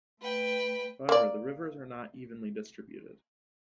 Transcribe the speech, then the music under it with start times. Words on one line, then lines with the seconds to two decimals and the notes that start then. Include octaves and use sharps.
However, the rivers are not evenly distributed.
0.21 A3 B4 G5
1.09 A#3 D5